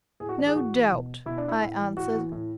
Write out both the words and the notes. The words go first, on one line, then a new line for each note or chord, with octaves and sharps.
'No doubt,' I answered.
A2 G#4
F#4
E3 D4
G#4
A2 F#4
E3
B2
B2 E4
D4
E4
A2
E3
A2 F#4
E3
A2